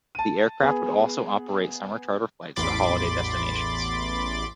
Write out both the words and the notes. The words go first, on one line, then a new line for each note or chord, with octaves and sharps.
The aircraft would also operate summer charter flights to holiday destinations.
A5 D#7
B3 G#4
A1 E2 B5 C6 D6 A6